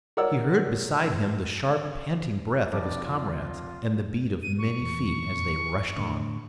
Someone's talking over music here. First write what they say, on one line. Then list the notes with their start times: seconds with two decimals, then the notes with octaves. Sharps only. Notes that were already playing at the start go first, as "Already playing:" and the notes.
He heard beside him the sharp, panting breath of his comrades, and the beat of many feet as they rushed on.
0.17 A#4 C#5 D5 F#5 E6
2.73 F1 B1 D5 D6
3.04 F4
4.43 D#7
4.59 C#6
4.81 E2 A#2
5.97 A2 D3